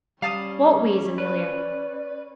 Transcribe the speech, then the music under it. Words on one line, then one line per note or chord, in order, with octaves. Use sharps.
"What ways, Amelia?"
G3 C#4 F5 A5 D#6
B4 D5